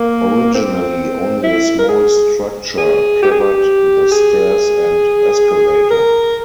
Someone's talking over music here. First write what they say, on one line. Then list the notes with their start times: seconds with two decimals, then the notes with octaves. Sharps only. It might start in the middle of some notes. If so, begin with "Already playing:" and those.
Originally only a small structure covered the stairs and escalator.
Already playing: A#3
0.54 C4
1.44 E4
1.79 A#4
1.89 G#4
2.78 G#4
3.23 G4
3.32 G#4
3.40 G4
4.12 G#4
5.91 A#4